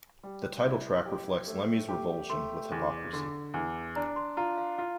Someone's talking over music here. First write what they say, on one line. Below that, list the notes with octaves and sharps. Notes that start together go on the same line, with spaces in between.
The title track reflects Lemmy's revulsion with hypocrisy.
G3
E4
G4
A3
G4
A3 C6
E2
D3
E2
D4 A#5
C6
F4 A#5
F5
F4 F5